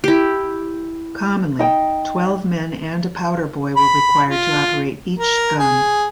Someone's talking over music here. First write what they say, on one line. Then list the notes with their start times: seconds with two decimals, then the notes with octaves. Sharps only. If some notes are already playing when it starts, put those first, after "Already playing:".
Commonly, twelve men and a powder-boy were required to operate each gun.
0.04 E4 G4
1.59 D#4 G5
3.77 B5
4.29 F4
5.18 A#4
5.59 G#4